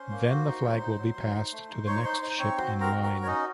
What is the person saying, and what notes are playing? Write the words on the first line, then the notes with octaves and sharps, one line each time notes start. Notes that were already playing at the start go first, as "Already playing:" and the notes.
Then the flag will be passed to the next ship in line.
Already playing: C#4 C5 C6
A#3
F#4
D#4
F#3
D#4
F#3
F#3
D#4
A3
D#4
D#4 C#5 C#6
D#4 C5 C6
D#4 C5 C6
C4 C#5 C#6
F#4 C5 C6
C4
A#4 A#5
F#4
A#4 A#5
F#4
C#5
C#4 D#4 D#5